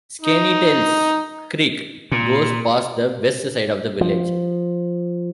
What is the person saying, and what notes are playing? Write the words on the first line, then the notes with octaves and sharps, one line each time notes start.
Skaneateles Creek goes past the west side of the village.
D#4
A#2
F3